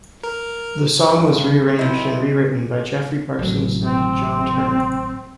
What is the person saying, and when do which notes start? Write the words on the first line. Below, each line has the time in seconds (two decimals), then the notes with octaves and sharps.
The song was re-arranged and re-written by Geoffrey Parsons and John Turner.
0.24 A#4
1.12 G2 B5
1.79 B1 C3 E4 D#5
3.39 G#1 A2 F#3
3.84 C4